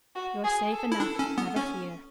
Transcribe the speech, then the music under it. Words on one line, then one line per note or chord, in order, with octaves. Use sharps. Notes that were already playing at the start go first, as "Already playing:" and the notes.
"You're safe enough, never fear."
F#4
G#4
A4
E4
D4 A4
C#4
B3
C#4 C#5